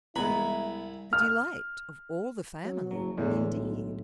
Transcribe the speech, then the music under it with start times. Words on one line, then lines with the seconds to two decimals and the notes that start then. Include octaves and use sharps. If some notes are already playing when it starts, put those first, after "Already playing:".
The delight of all the family, indeed!
0.16 C2 G#3 B3 E4 G#5 A#5 B5
1.13 F6
2.64 F#3
2.91 F#1 F#3
3.17 E2 A2 D3 G#3
3.55 B1